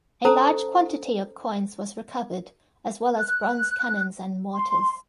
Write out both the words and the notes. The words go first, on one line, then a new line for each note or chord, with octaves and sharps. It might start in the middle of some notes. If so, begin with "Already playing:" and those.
A large quantity of coins was recovered, as well as bronze cannons and mortars.
C#4 A4 C5 A5 A#5 D#6
F#6
C6